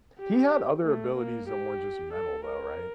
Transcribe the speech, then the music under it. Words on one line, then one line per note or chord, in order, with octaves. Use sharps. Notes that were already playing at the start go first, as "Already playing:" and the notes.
He had other abilities that weren't just metal though, right?
G4
A3
A#3
G4
A4
A#4